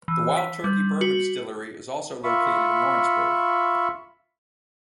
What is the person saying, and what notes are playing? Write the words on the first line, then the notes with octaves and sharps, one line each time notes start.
The Wild Turkey bourbon distillery is also located in Lawrenceburg.
E3
B6
G3
F#4
F4 E5 B5 C#6